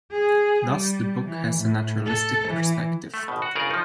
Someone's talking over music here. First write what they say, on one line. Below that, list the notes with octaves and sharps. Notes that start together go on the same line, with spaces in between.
Thus, the book has a naturalistic perspective.
G#4
G3
E3
A2
A4
E3
A3
G#1 B2
F#4
G1 C#3 G#4 A#4 D5
F3 D#4